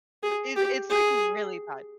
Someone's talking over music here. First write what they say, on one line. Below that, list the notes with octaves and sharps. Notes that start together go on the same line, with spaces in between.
It it's, like, really bad.
G#4
G4
G#4